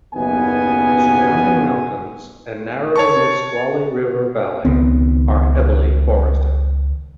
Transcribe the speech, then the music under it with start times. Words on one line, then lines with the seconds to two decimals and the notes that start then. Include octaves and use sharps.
The surrounding mountains and narrow Nisqually River valley are heavily forested.
0.14 F#1 D#2 B2 B3 G#5
2.96 C#5 A5 C#6
4.65 C#2 D#3 B3 C4